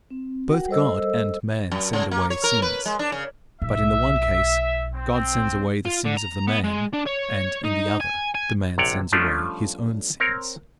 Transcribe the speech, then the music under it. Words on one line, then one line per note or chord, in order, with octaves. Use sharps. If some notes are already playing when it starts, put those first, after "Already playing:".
Both God and man send away sins, but in the one case God sends away the sins of the man, and in the other the man sends away his own sins.
C4
F#4 A#4 F#5 G5
G3 A4 A#4 C5 D#5 E6
F#2
C#3
A#3
C#5
A#4
B4
G#3
D4
C#3
B1 E5
C4
F4
D3
A#5
B3
G#3
D4
C#5
D#4
G#5
G#5
A#1 C3 C#5 D5 F#5 G5
F3 G3 A3 C#4 D4 F4
C4 A#4 C#5